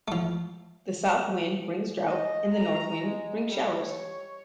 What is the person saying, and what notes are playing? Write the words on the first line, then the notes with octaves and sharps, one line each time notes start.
The south wind brings drought and the north wind brings showers.
F3 A3
D#5
A#5
G#3
G3
C#5